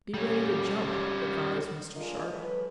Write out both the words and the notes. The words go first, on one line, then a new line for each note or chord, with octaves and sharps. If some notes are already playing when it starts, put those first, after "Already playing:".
"Be ready to jump," advised Mr. Sharp.
G3 C#4
D4 F4 G#4 A#4 D#5
F#3 G#3 A4 B4